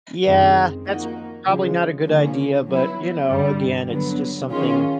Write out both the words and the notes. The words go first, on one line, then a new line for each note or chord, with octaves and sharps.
Yeah, that's probably not a good idea, but you know, again, it's just something
F#2 D#3 G#3 C4
F3 A#3 D#4 F#4
C#3 F3 G#3
D3 F3 A#3 C#4
F#3 B3 E4
G2 D3 G3
D3 F#3 B3
D#3 G#3 C#4 F4